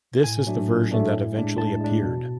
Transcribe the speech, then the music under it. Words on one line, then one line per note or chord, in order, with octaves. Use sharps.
This is the version that eventually appeared.
A2 G#5
F#3 A3 D4
A2
F#3 A3 D4
A2
G#3 D4
A2 A5
G#3 D4
B2